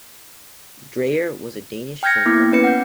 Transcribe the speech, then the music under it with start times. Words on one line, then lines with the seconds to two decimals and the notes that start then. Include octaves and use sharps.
Dreyer, was a Danish film director.
2.03 G5 F6 G6 G#6 A#6 C#7
2.25 A#3 B3 E4 D6
2.51 B3 C#4 B4 C#7
2.64 F#5 G6